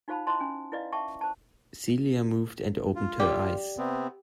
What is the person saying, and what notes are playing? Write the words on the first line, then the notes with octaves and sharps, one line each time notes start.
Celia moved and opened her eyes.
D#4 F4 C5 F5 A5 B5
E4 C5 D#5 A5 A#5 C6
C#4 G#5
E4 B4 D5 D#5 F5
E5 G5 A5 C#6 D6
C5 A5
F4
G4 D5
C3 B3 C4